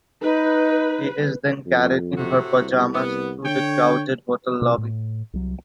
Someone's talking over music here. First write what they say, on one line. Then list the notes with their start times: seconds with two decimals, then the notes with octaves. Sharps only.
She is then carried in her pajamas through the crowded hotel lobby.
0.22 D#4 B4
1.66 F2
2.16 A2 C3 F#4
2.59 C2
2.93 B3
3.44 D3 C#5 G5
4.62 B2 A#3
4.78 A2
5.33 C2 F#3